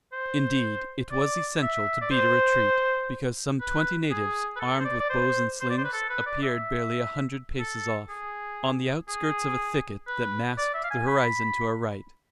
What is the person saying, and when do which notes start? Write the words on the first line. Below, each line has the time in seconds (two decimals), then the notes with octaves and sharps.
Indeed, it was essential to beat a retreat because some twenty natives, armed with bows and slings, appeared barely a hundred paces off, on the outskirts of a thicket that masked the horizon to our right.
0.13 C5
1.12 D5
1.62 E5
2.01 D5
2.11 C5
3.61 B4
4.11 G#4
4.56 B4
4.60 A4
4.80 C5
4.85 D5
5.00 D5
5.10 C5
5.60 C5
5.70 D5
5.78 C5
5.85 B4
5.93 A4
6.10 B4
6.26 D5
6.43 E5
7.59 A4
8.09 G#4
9.08 G#4
10.07 B4
10.58 D5
10.74 E5
10.84 F5
10.91 G#5
11.07 B5